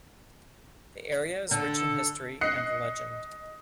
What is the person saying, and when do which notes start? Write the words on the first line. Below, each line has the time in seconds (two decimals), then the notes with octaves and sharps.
The area is rich in history and legend.
1.51 D3 A4
2.41 D#5 F#6 C7 C#7